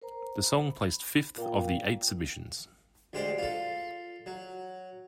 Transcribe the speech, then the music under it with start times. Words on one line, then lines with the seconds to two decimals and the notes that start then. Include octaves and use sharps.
The song placed fifth of the eight submissions.
0.02 A#4 C5 A#5
0.44 B5
1.38 A#2 F5 G5
3.13 D2 G#3 G4 C5 D5
3.38 F4 A4
4.26 F#3